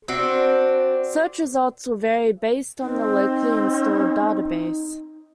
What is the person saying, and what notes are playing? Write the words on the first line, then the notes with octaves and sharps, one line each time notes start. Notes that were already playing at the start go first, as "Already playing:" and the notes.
Search results will vary based on the locally installed database.
C4 D4 F#4
C4 D#4